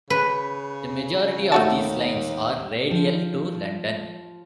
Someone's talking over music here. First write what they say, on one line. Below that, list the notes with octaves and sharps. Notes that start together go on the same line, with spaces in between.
The majority of these lines are radial to London.
C#3 B4
D#2 A3 F#4 A5
F3 G4